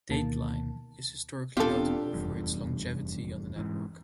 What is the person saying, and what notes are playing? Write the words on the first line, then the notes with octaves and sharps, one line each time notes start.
"Dateline" is historically notable for its longevity on the network.
D2 B2 D#3 A#3 A5
E1 B3 C4 D4 F4 G4 A4
F1 E2 G2
G#2 E3